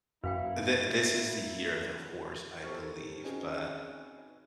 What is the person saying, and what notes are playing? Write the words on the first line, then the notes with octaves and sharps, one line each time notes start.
The this is the year of the horse, I believe, but,
F#2 A#3 E4 B4 F5 G5
G4 A4 A#4 C5 C#6 F6
C4 C#4 D#4 F#4 G#4 B4